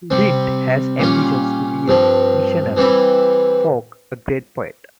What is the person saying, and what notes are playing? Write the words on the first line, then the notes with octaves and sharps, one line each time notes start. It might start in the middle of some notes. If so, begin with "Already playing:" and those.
Lind has ambitions to be a missionary, Falk a great poet.
C3 G3 C4
A#2 G3 C#4 F4
G2 F3 C4
E3 G3 C4 E4